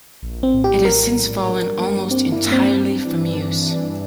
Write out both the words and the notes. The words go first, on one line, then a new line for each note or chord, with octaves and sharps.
It has since fallen almost entirely from use.
A#1
A#1
C4
A2
G4
G3
A#1 A#4
G3
A#1
G3
D4
G2
A#3
D4
C4 D4
A#3
E4
G2
C4
D4
G2
D4
E3
D4
D4
D4
E3